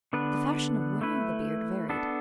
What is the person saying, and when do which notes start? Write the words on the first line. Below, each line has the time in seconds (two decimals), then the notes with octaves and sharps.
The fashion of wearing the beard varied.
0.13 D3 B3 D4 B4
1.01 A3 E4 B4
1.89 B3 D4 A4